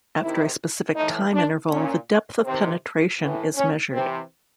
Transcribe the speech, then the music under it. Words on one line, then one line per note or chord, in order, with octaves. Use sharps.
After a specific time interval the depth of penetration is measured.
C3 D#3 E4
A2 E3 D#4
D4
A#2 C#4
C3 D#3 C4
A2 E3
C#4
C3 E3 C4